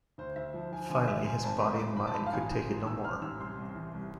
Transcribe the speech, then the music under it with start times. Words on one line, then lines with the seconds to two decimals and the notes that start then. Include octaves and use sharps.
Finally, his body and mind could take it no more.
0.18 D2 C5
0.36 D2 E5
0.54 F3
0.72 F3 G#5
0.90 D3 G#5
1.08 D3 E5
1.25 G#2 G#5
1.43 G#1 A5
1.62 G#2 B5
1.79 G#1 D6
1.97 F3 B5
2.07 A5
2.14 G#2 B5
2.26 F5
2.33 A1 G#5
2.51 A1
2.69 G#2
2.86 A1 E6
3.04 A1 F6
3.22 A1 E6
3.39 C2 C6
3.58 C2
3.75 E3
3.94 C2